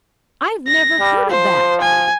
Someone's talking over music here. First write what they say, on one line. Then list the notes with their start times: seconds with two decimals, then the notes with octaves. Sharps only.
I've never heard of that.
0.67 A#6
1.00 G3
1.30 F3 C5
1.81 G#5